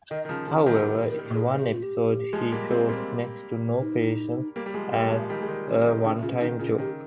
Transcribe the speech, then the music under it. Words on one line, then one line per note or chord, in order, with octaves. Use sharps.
However, in one episode, he shows next to no patience as a one-time joke.
D#3 D#5
D#3
C#3 F3
C#3 F3
D#3 G3
A#4
G#4
G#4
G4
F4
G4
F3 G#3
G3 A#3
G#3 C4
G3 A#3
D#4
G3 A#3
G3
F3 G#3
G3 A#3
F3 G#3
D#3 G3
G#3
D#3 G3
C#3
D#3
C#3 D#4
C#3 F4
D#3 D#4
C#3 F4
D#3 G4